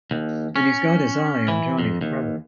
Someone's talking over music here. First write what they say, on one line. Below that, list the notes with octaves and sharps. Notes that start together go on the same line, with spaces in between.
And he's got his eye on Johnny's brother.
D#2
C#4
E3
F2
D#2